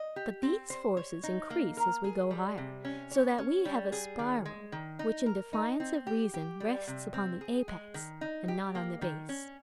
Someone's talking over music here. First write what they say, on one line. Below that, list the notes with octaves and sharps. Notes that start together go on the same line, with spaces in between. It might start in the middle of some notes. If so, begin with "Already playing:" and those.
But these forces increase as we go higher, so that we have a spiral which in defiance of reason rests upon the apex and not on the base.
Already playing: D#5
G4
C4
C5
C#5
D#4
A#3
A#4
G#4
G3
C3
C#4
C#5
C#4
G3
G#4
D#3
G#3
D#3
D#4
A#4
D#4
C4
G4
G4
G3
C3
C4
G#4
G#3
D#3
D#4
G4
A#3
D#3
C#4